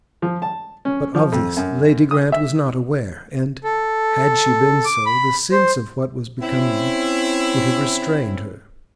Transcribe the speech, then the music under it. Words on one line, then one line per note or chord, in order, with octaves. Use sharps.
But of this Lady Grant was not aware, and, had she been so, the sense of what was becoming would have restrained her.
F3
A5
C#4
F3
F2
F#2
D#6
E5
A4
D6
B5
C5
C4 C#4 E4